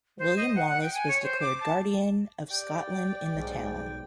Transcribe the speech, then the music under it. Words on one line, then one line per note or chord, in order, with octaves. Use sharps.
William Wallace was declared guardian of Scotland in the town.
C5
D#5
F#5
F#5
G5
G#5
C#5
C5
D6
A5
G4 D5 G5
B1 G#2